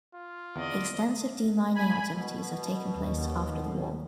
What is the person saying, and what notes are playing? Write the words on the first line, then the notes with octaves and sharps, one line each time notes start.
Extensive de-mining activities have taken place after the war.
F4
E2 D3 B3 C4 D5 D#5
G#5 B5
B2
D#2